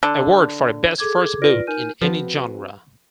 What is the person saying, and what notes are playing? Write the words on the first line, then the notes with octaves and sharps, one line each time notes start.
Award for a best first book in any genre.
D3
G#4 A4 D6 G#6
F4 B4 D5 F6 A#6 D7
D#4 A#4 G#5 F6 G6 D#7
F3 C4 F#4 B4